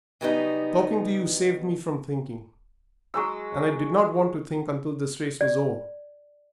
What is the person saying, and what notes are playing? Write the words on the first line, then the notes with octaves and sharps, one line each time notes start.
Talking to you saved me from thinking, and I did not want to think until this race was over.
C#3 F#3 G3 B3 D4 D#4
F#3 G#3 E6
D5